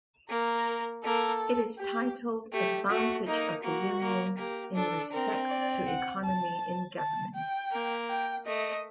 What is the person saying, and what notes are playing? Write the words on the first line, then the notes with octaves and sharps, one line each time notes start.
It is titled, Advantage of the Union in Respect to Economy in Government.
A#3 A#4
A#3 A4
G4
A3 G4
A3 F#4
A#3 D#4
A#3 F#4
A#3
A#3 G4
D4 A4
C4 A#4
D5
F#5
A5
A5
G5
A#3
G5
A3 D#5